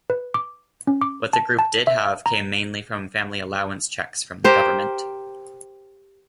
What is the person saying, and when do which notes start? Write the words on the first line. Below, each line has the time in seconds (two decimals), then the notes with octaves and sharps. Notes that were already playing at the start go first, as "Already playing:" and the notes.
What the group did have came mainly from family allowance cheques from the government.
0.10 B4
0.34 D6
0.87 C#4
1.01 D6
1.33 A5
1.59 A5
1.87 E5
2.26 A#5
4.44 G4 A#4 C5 G5